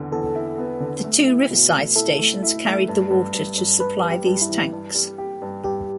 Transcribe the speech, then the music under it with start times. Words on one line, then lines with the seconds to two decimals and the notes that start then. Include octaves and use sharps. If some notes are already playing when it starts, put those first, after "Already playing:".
The two riverside stations carried the water to supply these tanks.
Already playing: E2 D3
0.12 E2 A4
0.35 E4
0.58 B3
0.80 D3
1.04 A3
1.26 E4
1.50 B2
1.74 A3
1.95 E4 A4
2.19 A3
2.43 E4
2.65 A3
2.88 G2
3.10 G2
3.33 G2
3.57 G2
3.80 G2 B4
4.03 G3
4.11 G4
4.25 G2
4.42 E4
4.48 E3
4.72 G2
4.95 G3
5.18 G4
5.42 G2
5.64 G2 G4